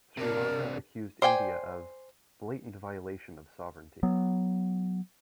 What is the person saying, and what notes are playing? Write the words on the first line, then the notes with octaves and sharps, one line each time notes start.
Sri Lanka accused India of "blatant violation of sovereignty".
C3 D4 A#4
C5 D5 G5 G#5
F#3 B3